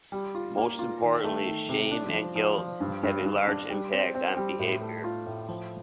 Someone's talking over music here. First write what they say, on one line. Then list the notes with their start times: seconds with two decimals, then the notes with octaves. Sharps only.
Most importantly, shame and guilt have a large impact on behavior.
0.12 G3
0.35 F4
0.57 A#3
0.79 F4
1.02 D#3
1.24 A3
1.46 D#3
1.69 C3
1.91 D4
2.13 F3
2.36 F3
2.58 F3
2.80 G2
3.03 G2
3.25 G2
3.47 D4
3.70 G3
3.92 C4
4.15 C4
4.37 G3
4.59 A2
4.82 A3
5.04 F4
5.27 A2
5.49 F3